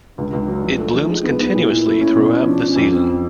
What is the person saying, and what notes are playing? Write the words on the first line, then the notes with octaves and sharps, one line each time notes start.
It blooms continuously throughout the season.
C#2 D4
C#2
D4
F#3
F3
A3
F3
G#3 D#4
B3 D4
B3 D#4
A#2 E4
A#2
A3
C#4
B2
C#4
F3 D4
F3
C#4
F2
F3 C4